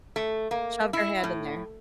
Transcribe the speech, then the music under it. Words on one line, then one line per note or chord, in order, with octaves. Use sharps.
Shoved her hand in there.
A3
A#3
E4
A2